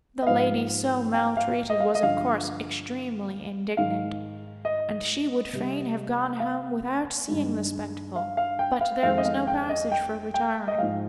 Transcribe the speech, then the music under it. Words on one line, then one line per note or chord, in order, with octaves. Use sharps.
The lady so maltreated was of course extremely indignant, and she would fain have gone home without seeing the spectacle, but there was no passage for retiring.
D#5
G#2 F3 G#3 F5
G5
F5
D#5
F5
D#5
G2 D3 F3 F5
G#2 D#3 G#3 F5
D#5
C3 G3
F5
G2 D#3 G#3
F5
F5
G5
F5
F2 D#3 G#3 F5
D#5
F5
G5
D#5
G5
G5
D#5
G#2 F3 G#3 F5